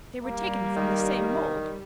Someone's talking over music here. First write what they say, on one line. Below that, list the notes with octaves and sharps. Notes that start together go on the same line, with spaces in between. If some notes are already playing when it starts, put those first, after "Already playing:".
"They were taken from the same mould."
G3 A#3
D#3